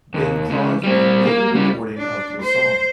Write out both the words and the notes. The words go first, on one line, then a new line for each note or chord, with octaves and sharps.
Bing Crosby made a recording of the song.
D#2
C#2
G3 C4
A#3
C#3 G3
D4
C5